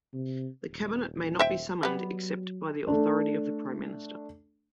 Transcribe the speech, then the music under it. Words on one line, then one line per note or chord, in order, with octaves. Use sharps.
The Cabinet may not be summoned except by the authority of the Prime Minister.
C3
D#1
C5 E5 G5
F#3 G3 B3
A3 D4